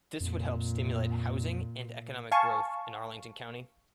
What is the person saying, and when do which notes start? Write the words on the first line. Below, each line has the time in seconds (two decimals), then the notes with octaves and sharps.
This would help stimulate housing and economic growth in Arlington County.
0.20 F2 A#2
2.32 F5 G#5 A5 C#6